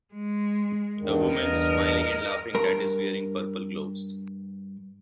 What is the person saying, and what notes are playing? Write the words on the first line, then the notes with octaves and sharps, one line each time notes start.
A woman smiling and laughing that is wearing purple gloves.
G#3
E2 G2 D#3
E2 G2 A#4 D#5
G2 A#4